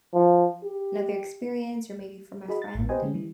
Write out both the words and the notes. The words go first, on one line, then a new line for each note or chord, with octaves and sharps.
another experience or maybe from a friend?
F3
G4
F#4 G#4 D#5 B5
A6
A1 G#2
G4 B4 C5 D#5 G5 G#5
D3 G#3 C#4
E3 G3